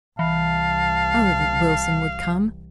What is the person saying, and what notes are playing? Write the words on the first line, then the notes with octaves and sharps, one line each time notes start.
Oh, that Wilson would come!
C2 E3 F5 A5